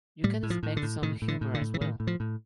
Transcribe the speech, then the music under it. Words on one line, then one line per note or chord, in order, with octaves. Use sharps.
You can expect some humour as well.
A2 G3
A2
F3
A2
D3
A2
A2 D#3
A2
D3
A2
D3
A2
E3
A2 D#3
A2
F3
A2